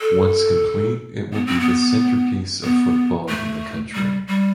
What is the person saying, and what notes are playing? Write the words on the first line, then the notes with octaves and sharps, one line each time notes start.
Once complete it will be the centerpiece of football in the country.
A4
B3
C4
B3
B3
A3
G3
G3